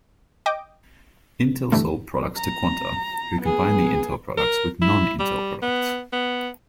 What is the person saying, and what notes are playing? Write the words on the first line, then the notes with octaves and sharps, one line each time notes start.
Intel sold products to Quanta, who combined the Intel products with non-Intel products.
D#5 G5 D6
G2 D3 E3 A3
A#5
B3 G#4
A#4
E4
G3
B3
B3